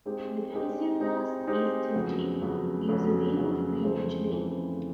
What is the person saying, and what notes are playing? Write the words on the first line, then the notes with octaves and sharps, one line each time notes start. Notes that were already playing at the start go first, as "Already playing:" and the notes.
The peninsula's eastern tip gives a view of Greenwich Bay.
G#3 C4 D#4 G4
G#3 C4 D#4 G4
G#3 C4 D#4 G4
G#3 C4 D#4 G4
F2 C#3 F#3 B3
F2 C#3 F#3 B3
F2 C#3 F#3 B3
F2 C#3 F#3 B3
F2 C#3 E3 A3 C4
F2 C#3 E3 A3 C4
C#3